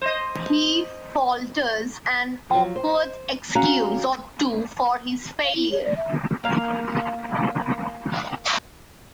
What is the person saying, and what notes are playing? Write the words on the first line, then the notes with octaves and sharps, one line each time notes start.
He falters an awkward excuse or two for his failure.
C5 D#5
F3 F#3
C5
C#4 F#4 F5 A#5
F5
E4
C#5
D5
E5
A#3 F5